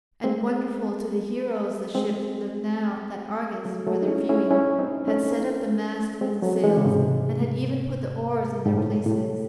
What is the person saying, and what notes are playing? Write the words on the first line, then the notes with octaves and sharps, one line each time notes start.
And wonderful to the heroes the ship looked now that Argus, for their viewing, had set up the mast with the sails and had even put the oars in their places.
G#3 C4
G#3 C4
F#3 A3
F#3 A3
D#4
C#4 E4
C#4 E4
C#4 E4
C4 D#4
A3 C#4
G#3 C4
F#3 A3
E3 G#3
C#3
G#2 C3
G#2
A2
A2